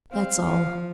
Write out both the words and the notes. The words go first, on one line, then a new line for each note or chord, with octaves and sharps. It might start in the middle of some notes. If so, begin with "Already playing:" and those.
That's all.
C4 F5
F3